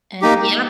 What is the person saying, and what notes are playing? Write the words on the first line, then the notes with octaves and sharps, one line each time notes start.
And Yep.
A#3 D#4 G4